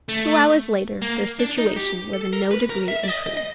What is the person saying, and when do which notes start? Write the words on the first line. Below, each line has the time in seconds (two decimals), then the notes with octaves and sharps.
Two hours later, their situation was in no degree improved.
0.09 A3
1.02 A#3
1.39 D4
1.58 D#4
1.76 G4
2.13 A4
2.33 A#4
2.51 B4
2.70 A#4
2.88 E5
3.03 D5
3.08 D#5
3.26 D#5
3.37 D#5